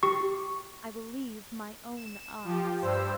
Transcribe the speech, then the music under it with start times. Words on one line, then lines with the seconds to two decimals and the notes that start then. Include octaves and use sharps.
I believe my own eyes.
0.03 G4 C#6
1.96 E7
2.44 F3 G4
2.82 G2 C5 E6